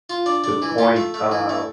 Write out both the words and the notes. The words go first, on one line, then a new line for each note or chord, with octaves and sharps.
to the point, uh
F4
D4
D4
E3
F4
A3
A3
E3
A3